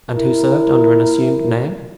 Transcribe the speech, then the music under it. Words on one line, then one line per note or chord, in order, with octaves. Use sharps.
"And who served under an assumed name?"
E4 A#4